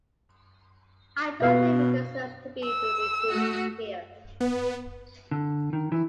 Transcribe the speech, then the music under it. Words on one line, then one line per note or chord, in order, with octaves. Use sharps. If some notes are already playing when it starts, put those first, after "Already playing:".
I don’t think it deserves to be reproduced here.
B2 B4 F5
E6
A3 F#4
B3
D3
D#3
E3